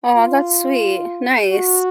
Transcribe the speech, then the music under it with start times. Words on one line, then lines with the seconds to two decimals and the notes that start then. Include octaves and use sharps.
Aw, that's sweet, nice.
0.17 F4
1.51 F#4